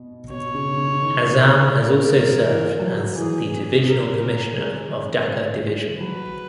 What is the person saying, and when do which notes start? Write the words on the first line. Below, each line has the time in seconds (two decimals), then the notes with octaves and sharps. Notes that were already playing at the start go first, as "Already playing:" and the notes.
Azam has also served as the divisional commissioner of Dhaka Division.
Already playing: B2
0.30 B2 C#5
0.54 C#3
0.77 C#3
1.01 D#3
1.73 A#4
2.44 E3
2.79 F#3
3.15 E3 G#4
3.87 A#4
4.22 A#4
4.58 G#3
6.00 F#3 B4